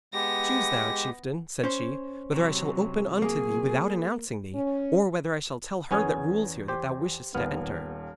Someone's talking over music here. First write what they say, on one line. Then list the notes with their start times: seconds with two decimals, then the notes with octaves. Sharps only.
'Choose thou, chieftain,' said she, 'whether I shall open unto thee without announcing thee, or whether I shall tell her that rules here that thou wishest to enter.'
0.14 G#3 B3 G4 A#6
1.64 C#4 C5
2.33 C3 F#3
3.22 A#3 G#4
4.54 C#4
5.91 E2 B3 C#4 G#4 G#6
6.68 G4 C5
7.34 D#1 D#2 B3 F6